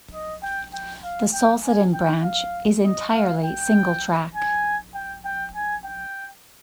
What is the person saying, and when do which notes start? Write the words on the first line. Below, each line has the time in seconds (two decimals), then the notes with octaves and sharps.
The Solsidan branch is entirely single track.
0.14 D#5
0.43 G5
0.74 G5
1.04 F5
1.33 G5
1.64 G#5
1.94 G5
2.24 F5
2.84 D#5
3.14 F5
3.44 G5
4.35 G#5
4.94 G5
5.25 G5
5.55 G#5
5.85 G5